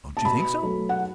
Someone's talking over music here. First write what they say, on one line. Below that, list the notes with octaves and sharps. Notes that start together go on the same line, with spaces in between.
"Don't you think so?"
A5
B2 B5
F#3 A3
F#5